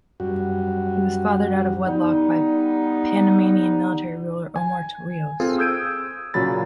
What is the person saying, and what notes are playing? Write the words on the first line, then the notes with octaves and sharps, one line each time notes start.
He was fathered out of wedlock by Panamanian military ruler Omar Torrijos.
F#2 G3 F#4
G3 B3 D#4
G#5
C4 F4 G#4 A4
D#6 E6 G6 G#6 D7 D#7
A#2 C#3 F#3 B5 A6